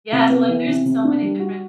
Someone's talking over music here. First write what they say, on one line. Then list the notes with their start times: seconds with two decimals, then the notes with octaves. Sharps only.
Yeah so, like, there's so many different
0.12 C3
0.30 B3
0.48 E3
0.67 C3
0.85 C3
1.04 D4
1.22 G3
1.40 F#4